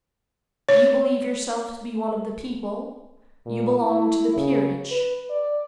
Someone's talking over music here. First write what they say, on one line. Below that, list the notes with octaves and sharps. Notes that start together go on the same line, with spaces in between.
You believe yourself to be one of the people; you belong to the peerage.
C#5
A#2
E4
C#3
B4
D5